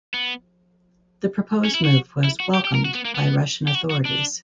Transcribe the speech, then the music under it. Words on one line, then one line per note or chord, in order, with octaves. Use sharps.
The proposed move was "welcomed" by Russian authorities.
B3
C#4
E4
F#4
E4
F#4
G4
G4
A#4
F#4
B3
A#3
B3
G4
F#4
F#4
D4